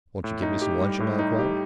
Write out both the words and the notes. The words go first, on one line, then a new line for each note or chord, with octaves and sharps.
"Won't you give me some luncheon?" I inquired.
A2
D#4
G4
G3
A2
D#4
G4